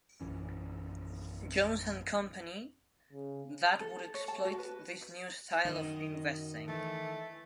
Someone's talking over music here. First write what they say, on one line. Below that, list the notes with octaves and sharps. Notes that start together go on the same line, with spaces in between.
Jones and Company, that would exploit this new style of investing.
A#1 F#2 E3 C#4
C#3
A4
C#5
A5
F#4
B4
F#2 D#3 D#5
E3 A3